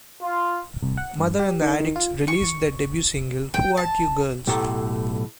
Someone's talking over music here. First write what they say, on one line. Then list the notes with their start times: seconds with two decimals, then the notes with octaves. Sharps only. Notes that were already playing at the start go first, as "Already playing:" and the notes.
Mother and the Addicts released their debut single Who Art You Girls?
0.22 F4
0.83 C2
0.97 F#5
1.19 G2
1.39 G4
1.62 D#3
1.80 D#3
1.96 F4
2.28 C#6
3.54 G5
3.77 A5
4.47 B1 A2 G4 A4 A#5